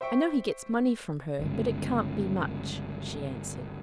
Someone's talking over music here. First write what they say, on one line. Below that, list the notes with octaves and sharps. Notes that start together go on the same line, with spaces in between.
"I know he gets money from her, but it can't be much," she answered.
C5 E5 G5 C#6
G1 C#2